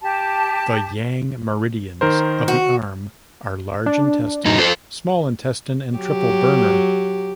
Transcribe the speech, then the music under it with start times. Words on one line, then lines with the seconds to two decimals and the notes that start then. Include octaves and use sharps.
The Yang meridians of the arm are Large Intestine, Small Intestine, and Triple Burner.
0.01 G4 A5
2.01 D#3 A#4 C5
2.48 F#4
3.86 D4
4.45 F#2 D#4
4.58 F4 A4 C5
5.97 F#3 G4